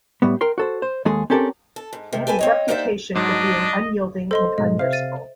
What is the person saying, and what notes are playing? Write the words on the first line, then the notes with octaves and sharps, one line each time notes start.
They have a reputation for being unyielding and unmerciful.
A2 G3 B3
A#4 G5 C6
F#4 A4 C5
C5
D#2 G#3 G#4 A4
C4 C#4 G4 A4 A#4 D5
A4
G#2
C3 D#3
G4 A4 B4 G#5
C4 C#5 D#5
A#3 D#4 G4 C5 D5 E5
G#2 F#3 D4 D#5
A4 C5 D#5 C6
G#2 B2 G#3 D#5
C3 C5 E5 F5
A6 D#7